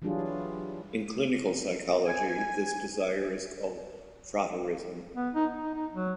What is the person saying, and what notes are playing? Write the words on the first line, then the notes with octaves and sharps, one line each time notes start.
In clinical psychology, this desire is called frotteurism.
E3 F#3 G3 D4 F4 G#4
G#5
B3
D#4
D#4
D#4
F#3